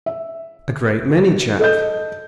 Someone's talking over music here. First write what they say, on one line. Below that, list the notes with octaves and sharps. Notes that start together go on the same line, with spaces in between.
"A great many, Jack."
E5
A4 D#5 G6